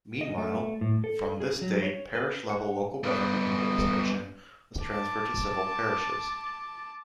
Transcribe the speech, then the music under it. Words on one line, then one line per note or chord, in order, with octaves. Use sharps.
Meanwhile, from this date parish-level local government administration was transferred to civil parishes.
D#5
A3
A2
A4
G#4
F#3
C#5
B4
F#5
G3 B3
A5 D6